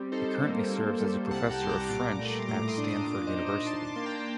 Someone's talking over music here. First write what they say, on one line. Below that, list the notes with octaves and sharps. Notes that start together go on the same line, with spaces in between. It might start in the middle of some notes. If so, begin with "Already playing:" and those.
He currently serves as a Professor of French at Stanford University.
Already playing: G3 C4
D#4 A4 C5
A#3
A#3
G3
C2 F#5 A5
G5 A#5
G3 C6
A#5 D6
A#2 A#5 D6
A3
A#5
C6
A2 A#5 D6
C6 D#6
D4
A#5 D6
A#2 A#5 D6
C5 D#5
D#4
C5 D#5
D4 A5 C6
D6
A#3 C6
G5 A#5